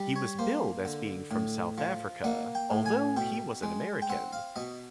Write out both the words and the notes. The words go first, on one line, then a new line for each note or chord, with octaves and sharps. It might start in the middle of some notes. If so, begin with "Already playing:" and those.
He was billed as being from South Africa, although he was an American.
Already playing: G3
C#5
A#3 C5
D3
A2
F3
A#3 F#5
G5
A2
G#5
B2 G5
G#3
G5
C4 F#5
F5
B2 D#5